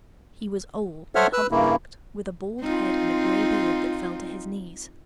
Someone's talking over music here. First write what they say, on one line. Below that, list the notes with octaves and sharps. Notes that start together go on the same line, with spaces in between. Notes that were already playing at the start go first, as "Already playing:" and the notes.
He was old and hump-backed, with a bald head and a grey beard that fell to his knees.
A4 C5 C#5 E5 F#5 F6
B4 E6 F#6
G2 C#3 A#3 E4
C4 D#4 F4